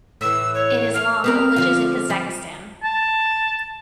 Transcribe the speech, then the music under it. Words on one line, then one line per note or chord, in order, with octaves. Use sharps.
It is long, of which is in Kazakhstan.
A2 E3 E6
C#5
F6
B3 C4 A#4 F6
D3 F3 F4
F3
A5